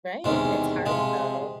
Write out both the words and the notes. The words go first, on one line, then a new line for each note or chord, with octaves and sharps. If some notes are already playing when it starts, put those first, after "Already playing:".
Right, it's hard, though.
E2 C3 D#3 G#3 C#4
C3 F3 G#3